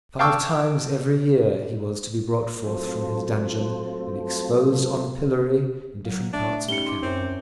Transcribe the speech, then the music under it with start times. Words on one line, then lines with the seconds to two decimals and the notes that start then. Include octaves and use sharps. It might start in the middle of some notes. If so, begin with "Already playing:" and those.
Five times every year he was to be brought forth from his dungeon and exposed on the pillory in different parts of the capital.
0.19 F5 G5 A5 C#6 D6 E6
2.66 F#3 A3 C4 F4 A4 C5
6.05 F#3 F5
6.33 A3 D4
6.69 G3 C#4 D#4 C#7 G7
6.86 C6 D6
7.03 F#2 C4 E4 C#5